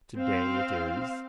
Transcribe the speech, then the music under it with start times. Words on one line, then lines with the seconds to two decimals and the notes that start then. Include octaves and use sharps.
Today it is.
0.17 C4 F5